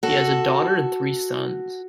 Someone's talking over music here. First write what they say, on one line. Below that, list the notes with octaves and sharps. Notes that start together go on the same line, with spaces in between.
He has a daughter and three sons.
F#4 A4